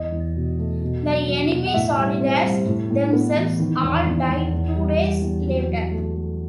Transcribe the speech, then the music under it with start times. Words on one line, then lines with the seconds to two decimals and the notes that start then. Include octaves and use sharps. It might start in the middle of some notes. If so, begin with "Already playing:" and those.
The enemy soldiers themselves all die two days later.
Already playing: E2 D#5
0.12 E2
0.35 B2
0.59 A3
0.82 B2
1.05 F#3
1.28 F#3
1.51 B2
1.66 F#5
1.74 A2 E5
1.98 G3
2.20 C4
2.44 G3
2.66 A2
2.90 A2
3.13 B3
3.36 E3
3.60 D#3
3.82 E2
4.06 E2
4.29 E2
4.52 E2
4.76 G3
4.99 G3
5.22 E2
5.45 F#3
5.68 F#3
5.91 A3
6.15 A3